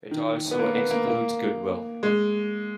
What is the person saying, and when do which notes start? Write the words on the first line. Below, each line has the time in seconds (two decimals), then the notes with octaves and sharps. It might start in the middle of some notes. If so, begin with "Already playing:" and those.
It also excludes goodwill.
0.11 D#3
0.51 B3
0.59 A#3
0.75 B3
0.91 A#3
1.07 A#3
2.03 G#3